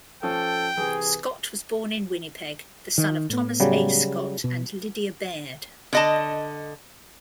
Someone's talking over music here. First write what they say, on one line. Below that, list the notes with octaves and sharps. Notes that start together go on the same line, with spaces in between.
Scott was born in Winnipeg, the son of Thomas A. Scott and Lydia Baird.
F3 C#4 A4 G5
C3 E3 G#4
D#3
A2 B3
C#3 F#3 G3
B2
D3 D#5 A5